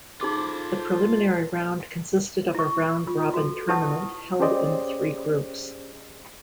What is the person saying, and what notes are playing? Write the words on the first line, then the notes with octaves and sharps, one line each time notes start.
The preliminary round consisted of a round-robin tournament held in three groups.
D#4 F4 G#4 A4 C5 B5 D6
E4 C#6
F4
F#4 A4
E4 G4 B4 F#5 A5 D#6
C#4 G4 G#4 C5 D5 D#5